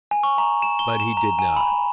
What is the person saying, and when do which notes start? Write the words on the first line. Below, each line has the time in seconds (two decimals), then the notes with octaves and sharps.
But he did not.
0.11 G#5
0.23 C#6
0.38 A#5
0.62 E7
0.79 G7
1.00 E7
1.17 A#5
1.39 G#5
1.56 B5